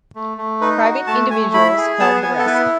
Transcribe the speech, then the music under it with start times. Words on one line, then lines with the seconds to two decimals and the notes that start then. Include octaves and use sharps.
Private individuals held the rest.
0.15 A3
0.38 A3
0.61 D#4 B4
0.84 F#4
1.07 A3 A5
1.30 A3 G#5
1.54 E4 B5
1.77 G#4
2.00 B3 A5
2.23 B3 G#5
2.39 A4
2.46 E4 B4